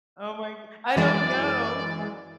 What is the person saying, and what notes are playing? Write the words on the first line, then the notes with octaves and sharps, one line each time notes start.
Oh my g I don't know.
F#2 E3 G#3 D5